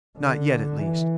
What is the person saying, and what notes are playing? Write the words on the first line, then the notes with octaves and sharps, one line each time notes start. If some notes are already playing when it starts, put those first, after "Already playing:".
Not yet, at least.
D3
E3